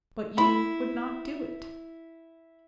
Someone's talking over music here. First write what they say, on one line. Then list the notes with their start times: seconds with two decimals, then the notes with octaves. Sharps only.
But you would not do it.
0.38 E4 B5